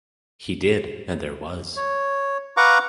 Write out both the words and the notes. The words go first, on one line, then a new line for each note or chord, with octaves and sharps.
He did, and there was.
C#5
B4 F5 F#5 A#5 C#6 D6